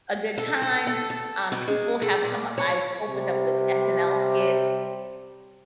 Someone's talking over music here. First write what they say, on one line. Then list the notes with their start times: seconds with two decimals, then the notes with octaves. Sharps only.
a good time. Um, people have come u I've opened up with SNL skits,
0.38 A4
0.62 A4
0.87 A4
1.10 A4
1.52 B2
1.68 G#3
2.02 A4
2.24 A#2
2.58 C#5
3.09 C3 G3